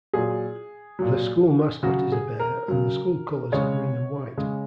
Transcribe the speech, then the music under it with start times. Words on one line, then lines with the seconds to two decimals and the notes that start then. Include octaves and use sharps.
The school mascot is a bear and the school colors are green and white.
0.13 A#2 F#3 G#4
0.99 A#2 F#3
1.83 C#3 F#3 F#4
2.12 G#4
2.40 A#4
2.68 C#3 F#3
3.52 C#3 G#3 C#5
4.37 C#3 G#3